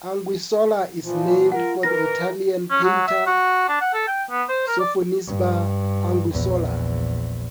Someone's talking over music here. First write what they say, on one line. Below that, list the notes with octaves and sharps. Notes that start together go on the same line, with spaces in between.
Anguissola is named for the Italian painter Sofonisba Anguissola.
A#2 E3 F3 F4
F4 A#4 F#5
E3 A#4 B4 A#6
C#4
F#3
E5
F#4
D4
F#5
A4
G5
B3
C5
A#4
D5
G2
A#1 E2